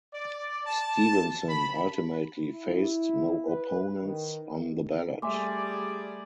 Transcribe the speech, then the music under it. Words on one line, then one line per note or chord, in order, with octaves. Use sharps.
Stevenson ultimately faced no opponents on the ballot.
D5
A5
B5
E4
B4
D#3
G3 A3 G#4 D5 E5 G#5 C6 D6